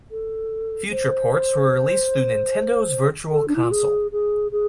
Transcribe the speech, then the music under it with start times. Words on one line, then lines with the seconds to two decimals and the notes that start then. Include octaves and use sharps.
Future ports were released through Nintendo's Virtual Console.
0.11 A4
0.91 C5
3.32 A4
3.48 D4
3.56 E4
3.64 F4
3.71 G#4
4.12 G#4
4.52 G#4